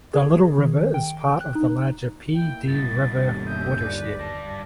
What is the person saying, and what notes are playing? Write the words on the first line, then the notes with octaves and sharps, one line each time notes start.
The Little River is part of the larger Pee Dee River watershed.
G#4
D#3
G5
F#6
D#4
A#3 E4 G5
G2 B2 A6
G1 D#2 A6
A2 E5 D#6 G6
B4 D5
G3 A5 A#6